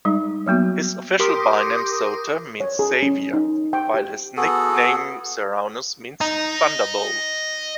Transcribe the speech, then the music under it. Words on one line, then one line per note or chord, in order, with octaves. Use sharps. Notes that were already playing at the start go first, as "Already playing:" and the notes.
His official byname "Soter" means "Saviour", while his nickname "Ceraunus" means "Thunderbolt".
G3 G#3 D#4
F#3 A#3 B3 F#4
G4 A#4 C6 D6 D#6
C#5
G#4
C#4
D#4
G5
G4
B3 F#4 G#4 A4
D#5 A#5